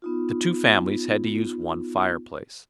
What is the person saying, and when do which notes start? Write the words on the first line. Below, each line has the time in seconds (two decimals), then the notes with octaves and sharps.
The two families had to use one fireplace.
0.02 B3 D#4 F4